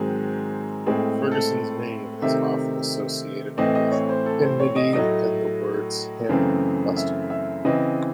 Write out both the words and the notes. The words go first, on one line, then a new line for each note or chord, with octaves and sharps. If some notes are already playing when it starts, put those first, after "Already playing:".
Ferguson's name is often associated with hymnody and the words hymn festival.
Already playing: G#2 D#3 F#3 C4 G#4
A2 G#3 C4 G#4
A4
C3 D#3 A3 C4 E5
A2 E3 A3 C4 D#5
D#5
C#5
C5
A4
C5
C#5
D#5
A2 F#3 A3 D#5
F#2 C#3 E3 A3 C4
E5
E5
C#3 E3 C4 D#5